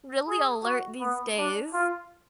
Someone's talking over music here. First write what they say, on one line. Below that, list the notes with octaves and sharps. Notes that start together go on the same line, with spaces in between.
really alert these days,
G#4
F#4
B3
D4
F4